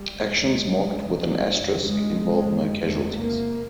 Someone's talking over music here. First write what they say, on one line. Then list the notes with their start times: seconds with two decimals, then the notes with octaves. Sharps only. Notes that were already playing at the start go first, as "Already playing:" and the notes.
Actions marked with an asterisk involved no casualties.
Already playing: G3
0.25 D#2 C#3 G#3
0.89 E2
0.95 B2
1.22 G3
1.55 F2 C#3 F#3
1.87 G#3
2.20 F#2 C#3
2.84 E2 C3 A3
3.17 A#3